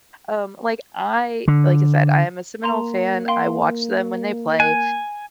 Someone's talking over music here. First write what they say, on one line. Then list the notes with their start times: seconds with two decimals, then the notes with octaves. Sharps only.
um, like, I like I said, I am a Seminole fan, I watch them when they play.
1.48 D3
2.64 A#3 A#5 C6
3.28 F5 G5 C6
4.60 G#5 F#6